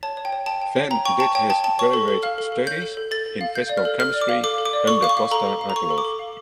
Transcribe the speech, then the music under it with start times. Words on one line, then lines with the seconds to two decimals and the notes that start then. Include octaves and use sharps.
Fenn did his graduate studies in physical chemistry under Gosta Akerlof.
0.03 C#5 A5
0.17 C#5
0.25 G5
0.33 C#5
0.46 G5 A5
0.61 G5
0.76 C#5
0.91 G5 A#5
1.05 G5 C#6
1.20 G5 A5
1.35 C#5 G5
1.50 G5 A5
1.64 G5 A5
1.79 C#5 C#6
1.93 A4
2.08 A4
2.23 F5 F6
2.38 A4
2.52 A4
2.67 C#5 G6
2.82 A4
2.97 A4
3.11 A4 A6
3.26 A4
3.41 F5
3.55 F5 G6
3.69 D5
3.77 F6
3.85 A4
3.99 A4 F6
4.14 D5
4.21 D6
4.29 F5
4.43 A4 D6
4.58 A4
4.65 D6
4.73 D5
4.87 A4 C#6
5.02 F5 D6
5.09 C#6
5.17 F5
5.31 A4 A#5
5.46 A4
5.61 F5
5.70 A#5
5.76 A4 C#6
5.91 A4
5.98 D6
6.05 A4
6.19 F5